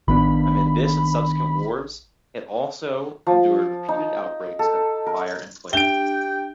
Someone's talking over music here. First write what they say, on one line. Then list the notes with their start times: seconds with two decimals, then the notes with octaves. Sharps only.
Amid this and subsequent wars, it also endured repeated outbreaks of fire and plague.
0.08 A1 D#3 B3 D4 B5
3.27 F3
3.88 D#4
4.59 A4
5.06 A#4
5.73 D4 G4 E5 G5 D7 G7